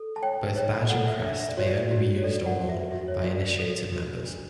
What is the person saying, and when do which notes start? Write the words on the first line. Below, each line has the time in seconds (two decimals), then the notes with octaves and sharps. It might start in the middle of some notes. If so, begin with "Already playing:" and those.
Both badge and crest may only be used or worn by initiated members.
Already playing: A4
0.16 A5
0.23 C#5 G5
0.56 C#5
0.89 A4 F#5
1.07 E5
1.23 D4 E5
1.40 E5
1.49 D5
1.57 F#4 C#5
1.66 D5
1.91 F#4
2.18 C#5
2.24 A4 D5
2.46 F#5
2.57 F#4
2.69 E5
2.91 F#4 E5
3.08 C#5
3.19 E5
3.24 F#4 D5
3.41 D5
3.59 A4
3.92 F#4
4.26 D4